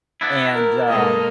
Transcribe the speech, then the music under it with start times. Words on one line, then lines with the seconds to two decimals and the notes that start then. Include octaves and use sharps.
And, um,
0.21 B3 D4 E4
0.54 A#4
0.89 B2 G#3 A#3 A4 D#5